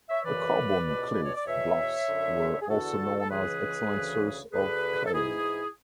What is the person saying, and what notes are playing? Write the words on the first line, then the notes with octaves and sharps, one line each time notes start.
The Carbon Cliff bluffs were also known as an excellent source of clay.
C#5 E5
F#2 C#3 E3 B4 D5
C#2 B2
B4
C#5
D5
E2 B2 C#5 E5
F#2 D3
G#4
E2 D3 F#4 A4
A4
C#2 C#3 E3 G#4 B4
D2 C#3 E3
D2 D3 G#4 B4
A4
G#2 E3 E4 G#4